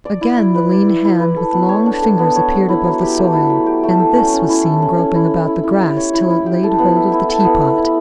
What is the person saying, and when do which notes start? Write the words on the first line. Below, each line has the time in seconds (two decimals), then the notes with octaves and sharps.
Again the lean hand with long fingers appeared above the soil, and this was seen groping about the grass till it laid hold of the teapot.
0.05 D5
0.21 E4
0.37 E4
0.54 B4
0.71 D5
0.87 E4
1.04 E4
1.20 B4
1.36 A4
1.53 B3
1.69 C#5
1.86 D4
2.02 A4
2.19 B3
2.36 C#5
2.51 D4
2.69 E4
2.84 F#3
3.01 G4
3.18 A3
3.33 E4
3.50 F#3
3.66 G4
3.83 A3
3.99 A4
4.16 C#4
4.33 C#4
4.49 E4
4.65 A4
4.82 C#4
4.98 C#4
5.15 E4
5.31 C#5
5.47 E4
5.63 E4
5.81 G4
5.96 C#5
6.13 E4
6.30 E4
6.46 G4
6.63 A4
6.78 B3
6.96 E5
7.12 E4
7.29 A4
7.44 B3
7.61 E5
7.78 E4